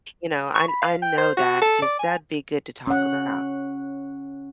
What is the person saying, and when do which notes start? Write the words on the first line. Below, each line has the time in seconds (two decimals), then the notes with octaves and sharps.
you know, I I know that, just that'd be good to talk about.
0.55 C#6
0.68 B5
0.82 F5
1.02 G5
1.18 C5
1.37 F#4
1.62 A4
1.82 D5
1.99 G#5
2.87 C#4 F#5